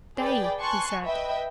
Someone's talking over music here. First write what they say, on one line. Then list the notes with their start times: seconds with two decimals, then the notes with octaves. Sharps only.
"Stay!" he said.
0.17 G#4 B4 D5 G5
0.60 G#5 A5 C6 C#6 F#6
1.04 B4 D#5 E5 G5 B5